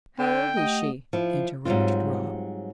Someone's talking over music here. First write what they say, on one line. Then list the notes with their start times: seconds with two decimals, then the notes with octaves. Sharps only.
"How old is she?" interrupted Rob.
0.19 D3 G5
0.57 A3 G4 D#5 F#5
1.13 F3 E4
1.65 G#2 F#3 G3 C4 F4